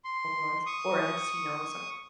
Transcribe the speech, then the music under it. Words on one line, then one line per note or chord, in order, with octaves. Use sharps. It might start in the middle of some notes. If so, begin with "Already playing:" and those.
us for us, you know, as some
C6
C#6 D#6